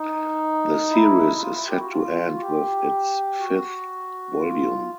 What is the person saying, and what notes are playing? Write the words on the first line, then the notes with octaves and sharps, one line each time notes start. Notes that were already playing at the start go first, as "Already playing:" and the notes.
The series is set to end with its fifth volume.
Already playing: D#4
E4
E4
F4
E4
G4
F#4
F4
F#4
G4
F#4
F4